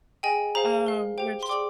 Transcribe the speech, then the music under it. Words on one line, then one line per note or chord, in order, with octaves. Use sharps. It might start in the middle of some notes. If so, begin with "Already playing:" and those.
um, which
G#4 D#5 G5 G#5
G#4 C5 F5 A#5
A#4 F5
G4 C5 G5
C6
G#4 D5 G5 D6